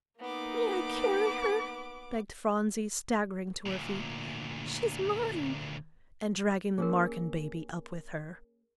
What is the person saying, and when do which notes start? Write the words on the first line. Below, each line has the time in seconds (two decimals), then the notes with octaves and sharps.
"May I carry her?" begged Phronsie, staggering to her feet--"she's mine"--and dragging the Marken baby up with her.
0.20 A#3 B3 D#4 D6
3.66 D2 A#2
6.78 A#3 C#4 G#4 A#4